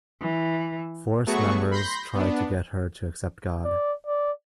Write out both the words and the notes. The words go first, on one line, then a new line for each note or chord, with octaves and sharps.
Force members try to get her to accept God.
E3
F#3 A3 B3 F#4 G#4 C#6
B5 C6 G6 A#6
B3 D4
D5
D5